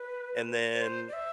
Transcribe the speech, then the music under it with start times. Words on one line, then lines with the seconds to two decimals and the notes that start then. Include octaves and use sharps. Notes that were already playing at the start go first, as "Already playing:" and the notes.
and then
Already playing: B4
0.74 C5
1.08 D5
1.13 E5